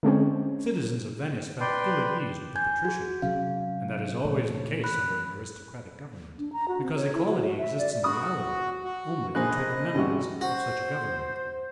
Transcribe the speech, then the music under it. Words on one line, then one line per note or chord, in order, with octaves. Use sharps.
The citizens of Venice felt ill at ease with the patricians, and that is always the case under an aristocratic government, because equality exists in reality only between the members of such a government.
D3 G#3 C4 C#4
B4 D5 G5 C6
G#5 G6 G#6
F#4 G#4
C3 F#3 C#4 F5
A#2 E3 A3 C#5
B5 F#6
D4
A#5
F#4
C4
C#5
E4
F#4
F#4
E5
D5
F#4 B5 D#6
F#4
A#1 C5 D#5 G#5 F#6
G#1 C3 G3 C#4 F#4
F#4 C5